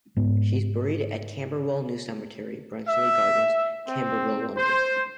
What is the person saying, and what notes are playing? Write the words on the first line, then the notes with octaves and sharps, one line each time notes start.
She is buried at Camberwell New Cemetery, Brenchley Gardens, Camberwell, London.
G#2 B3
E5
C4
C5